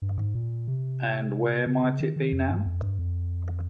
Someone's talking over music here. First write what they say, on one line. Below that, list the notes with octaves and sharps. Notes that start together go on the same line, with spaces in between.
And where might it be now?
G2
G#2
A#2
C3
C#3
C#3
D#3
D#3
F2
G2
F2
G2
F2